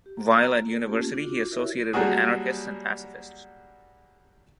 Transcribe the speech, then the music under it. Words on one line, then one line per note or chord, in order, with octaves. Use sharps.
While at university, he associated with anarchists and pacifists.
G4
A#5
A4
A3 A#3 C#4 F4 G4
D4 F4 F#4 D6
E4 F#4 G4 A#4 C#5 E5
F#3 G3 A#3 D4 F#4 G#4